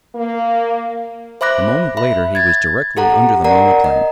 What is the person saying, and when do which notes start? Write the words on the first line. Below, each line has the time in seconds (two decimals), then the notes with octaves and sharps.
A moment later he was directly under the monoplane.
0.16 A#3
1.41 C5 E5 B5 D6 F#6 A#6
1.97 E5 B5
2.35 G#6 A6
2.97 G4 A4 F#5 A#5
3.44 A#4 D5 F#5 A#5
3.84 D#5